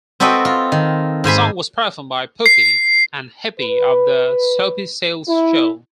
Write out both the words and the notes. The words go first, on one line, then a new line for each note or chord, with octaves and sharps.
The song was performed by Pookie and Hippy of The Soupy Sales Show.
C4 F#4 A4 B4 D#5 G5
F4
D#3
G#2 C5 G#5 B5
C7
B4
E4